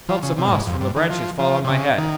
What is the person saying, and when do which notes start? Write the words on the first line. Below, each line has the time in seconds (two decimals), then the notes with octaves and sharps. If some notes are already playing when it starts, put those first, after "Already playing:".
I felt some moss from the branches fall on my head.
0.09 F3
0.23 C#3
0.38 C3
0.48 A#2
0.52 G#2
0.67 F2
0.81 G2
0.96 D#3
1.10 F3
1.39 F3
1.65 C3
1.69 C#3
1.98 D#3